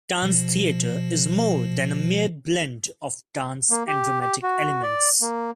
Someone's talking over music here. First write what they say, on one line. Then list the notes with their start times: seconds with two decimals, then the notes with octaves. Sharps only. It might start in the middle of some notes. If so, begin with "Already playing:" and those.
Tanztheater is more than a mere 'blend' of dance and dramatic elements.
0.22 B2 F3
3.70 A#3
3.87 G4
4.21 G4
4.43 F#4
4.83 D5
5.21 A#3